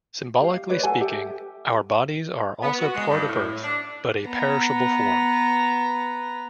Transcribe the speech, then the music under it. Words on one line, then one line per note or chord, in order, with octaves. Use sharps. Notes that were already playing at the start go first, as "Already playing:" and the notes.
Symbolically speaking, our bodies are also part of earth, but a perishable form.
G4 F5
B4 C#5 D5
A4 F#5 G#5
G4 A4 E5
B3
F#4
G#3
G2
A2
D4
B3 A#5